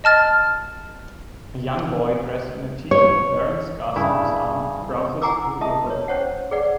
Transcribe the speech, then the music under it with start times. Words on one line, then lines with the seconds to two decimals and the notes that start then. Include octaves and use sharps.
A young boy dressed in a tshirt bearing scars on his arm, browses through a book.
0.04 D#5 A5 F6 A6
2.91 C#5
3.96 G2 C#3 E4
5.22 E4 F#5 G#5 A#5 D6 E6
5.61 D#5 E5 A5 D#6
5.87 B4 C#5
6.08 C#4 C5 C#5 F#5
6.51 G#4 B4 D5 F#5